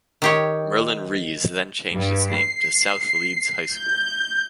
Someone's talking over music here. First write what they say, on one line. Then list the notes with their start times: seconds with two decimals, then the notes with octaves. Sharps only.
Merlyn Rees then changed its name to South Leeds High School.
0.22 D#3 G4 C#5
1.95 G2
2.35 C7
3.72 G6